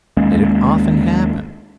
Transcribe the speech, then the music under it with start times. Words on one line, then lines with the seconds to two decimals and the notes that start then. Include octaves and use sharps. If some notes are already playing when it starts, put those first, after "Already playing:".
Did it often happen?
0.17 D#2 G#3 A#3 C#4